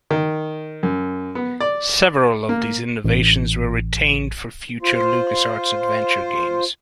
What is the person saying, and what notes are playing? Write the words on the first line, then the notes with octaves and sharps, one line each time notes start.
Several of these innovations were retained for future LucasArts adventure games.
D#3
F#2
B3
D5
A#3
A1
F4 C5